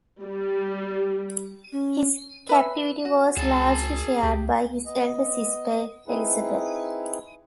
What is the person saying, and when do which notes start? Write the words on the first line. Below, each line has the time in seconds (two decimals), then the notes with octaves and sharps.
His captivity was largely shared by his elder sister Elizabeth.
0.23 G3
1.72 C#4
2.49 B4 E5
3.05 F#4
3.37 C#2 G#4 A5
4.23 C#2 G4
4.86 B3 D#5
6.08 C4 D#4 E4 G#4 B4